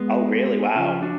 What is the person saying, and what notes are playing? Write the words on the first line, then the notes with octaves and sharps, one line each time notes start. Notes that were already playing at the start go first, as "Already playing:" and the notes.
Oh really? Wow.
Already playing: G#3 B3
C#2 C#3 F3 C#4 F4
D4 F#4